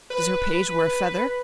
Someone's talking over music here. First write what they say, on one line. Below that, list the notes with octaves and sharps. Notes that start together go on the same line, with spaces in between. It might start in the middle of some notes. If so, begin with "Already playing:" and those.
Does her page wear a feather?
B4